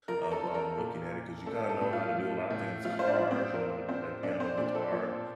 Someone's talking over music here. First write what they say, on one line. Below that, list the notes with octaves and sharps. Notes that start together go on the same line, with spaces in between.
of, um, looking at it, 'cause you kinda know how to do a lot of things, cars, you know how to do play the piano, guitar,
F3 A#4 A#5
A4 A5
F3
A#4 A#5
A#2
A#2
A2 A4 A5
A4 A5
A2
F4 F5
F3
A2
F3 F4 F5
C5
D4 D5
F3
C4 C5
F3 A#4
F3 C4 C5
A#2 D4 D5
C4 C5
A#2 D4 D5
A4
F3